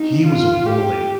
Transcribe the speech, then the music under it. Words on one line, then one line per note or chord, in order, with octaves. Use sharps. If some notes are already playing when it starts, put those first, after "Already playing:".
he was a bully.
Already playing: D#4
F4
G4